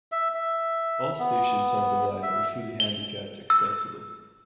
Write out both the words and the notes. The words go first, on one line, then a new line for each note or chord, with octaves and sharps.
All stations on the line are fully handicapped accessible.
E5
E5
B3
E5
G7
E6